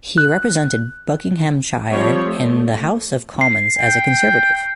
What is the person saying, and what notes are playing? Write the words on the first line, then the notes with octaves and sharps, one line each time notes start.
He represented Buckinghamshire in the House of Commons as a Conservative.
F#6
F3 G3 C4 C#5
A3
C7
G5